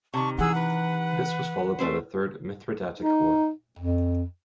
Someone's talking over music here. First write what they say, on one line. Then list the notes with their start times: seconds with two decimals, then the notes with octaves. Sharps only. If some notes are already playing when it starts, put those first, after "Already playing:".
This was followed by the Third Mithridatic War.
0.14 C3 D#3 A5 C#6
0.38 E3 G#4 F#5 E6
0.51 B4 F#5
1.79 A3 C4 C5
3.00 D#4
3.79 F2